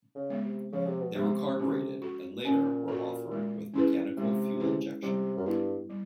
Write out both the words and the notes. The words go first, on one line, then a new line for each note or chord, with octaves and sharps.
They were carbureted and later were offered with mechanical fuel injection.
C#3
G#3 B3
C3
C#3 F3
C3
B2
C3 G#3 B3
C#4
F#4 A4
A#2 C#4
F#4 A4
G#3
C#4 E4 G#4 B4
C3 G#3
C#4 E4 G#4 B4
C3 G3
F#2
G2 B3 E4
G3